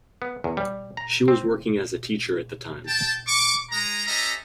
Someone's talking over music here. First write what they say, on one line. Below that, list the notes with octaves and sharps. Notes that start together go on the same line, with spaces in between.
She was working as a teacher at the time.
B3
E2
G3
A#5
C4
G5 A5
C#6 D6
G#3 A#5
C#4 G4 A4 D#5 E5 A#5